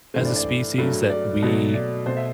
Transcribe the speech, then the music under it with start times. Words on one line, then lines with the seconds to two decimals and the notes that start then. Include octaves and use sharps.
as a species that we
0.14 G2 E3 A3 C5
0.25 D5
0.36 D5
0.78 G2 F#3 A3
1.10 D5
1.42 B2 F#3 A3
1.74 D5
2.06 B2 A3 C5
2.17 E5